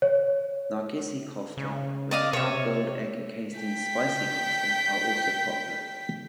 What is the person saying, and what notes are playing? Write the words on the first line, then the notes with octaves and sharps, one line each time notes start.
Nargisi kofta with hard boiled egg encased in spicy kofta are also popular.
C#5
C#3
D5 D#5 F5
C3 C#5 E5
G5 B6